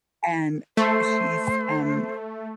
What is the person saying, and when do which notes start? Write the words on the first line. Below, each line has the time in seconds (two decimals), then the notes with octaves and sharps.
and she's, um,
0.77 A3 C5